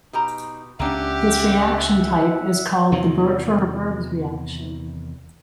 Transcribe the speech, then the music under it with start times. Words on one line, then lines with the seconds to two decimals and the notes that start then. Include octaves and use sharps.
This reaction type is called the Bucherer-Bergs reaction.
0.13 B2 D#4 G4 A#5
0.80 C#2 A#3 C#4 D4 G4 E5 F#5
2.92 E2 C3 D#3 E3